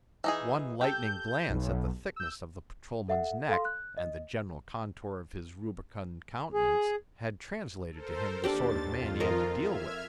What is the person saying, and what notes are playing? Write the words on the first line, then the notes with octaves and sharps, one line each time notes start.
One lightning glance at the thickness of the patrolman's neck and the general contour of his rubicund countenance had translated to him the sort of man he had to deal with.
E3 D#4 G#4
G4 A4 G6
B1
E6 G6
A4 E5 F#5
A4 F5 C6
F#6
D#5
G#4
A4 A#4 C5
D#2 D4 G4 G5 A6
F2 F4
A#4 D#5
E5 F6 G#6